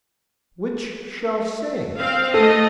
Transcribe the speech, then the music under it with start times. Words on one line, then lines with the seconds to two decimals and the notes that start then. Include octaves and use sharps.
Which shall sing?'
1.98 C4 F5
2.34 A3 A4 D#5